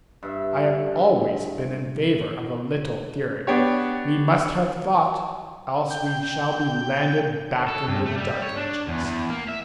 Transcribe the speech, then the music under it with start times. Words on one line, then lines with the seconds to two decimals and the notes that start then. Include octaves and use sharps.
I have always been in favor of a little theory: we must have Thought; else we shall be landed back in the dark ages.
0.23 G2 E5
3.47 B3 D4 G4 C#5
5.90 G5
7.68 A4
7.88 G2
8.06 A3
8.17 G3
8.42 C#5
8.56 D4
8.88 E2
9.05 E2
9.30 A#3
9.49 E5